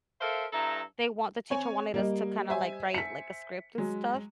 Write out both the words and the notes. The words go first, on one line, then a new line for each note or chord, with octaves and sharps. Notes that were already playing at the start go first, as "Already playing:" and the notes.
they want the teacher wanted us to kinda, like, write, like, a script and stuff
A4 A#4 C5 E5 F5
G2 E4 A4 A#5
C4 C#5 G#5
G3 A#3 D#5
C5 E5 G#5
B6 C#7
F#3 G#3